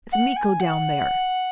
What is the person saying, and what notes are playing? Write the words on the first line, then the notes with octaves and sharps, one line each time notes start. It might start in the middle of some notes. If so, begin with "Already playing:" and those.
It's Miko down there!
F#5
G#5
F#5